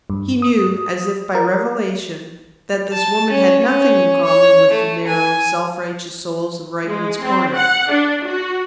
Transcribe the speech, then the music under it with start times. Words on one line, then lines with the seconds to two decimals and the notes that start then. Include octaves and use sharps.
He knew, as if by revelation, that this woman had nothing in common with the narrow, self-righteous souls of Rykman's Corner.
0.10 G2
0.42 D#6
1.35 A#4
2.93 A5
3.30 C#4
3.62 C#4
4.25 C#5
4.71 A3
5.07 G#5
6.86 G#3
7.22 C4
7.55 F#5
7.89 D4
8.25 F#4